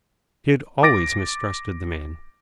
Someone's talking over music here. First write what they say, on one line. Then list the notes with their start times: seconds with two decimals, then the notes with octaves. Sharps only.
She had always mistrusted the man.
0.83 D6 A6 A#6 D7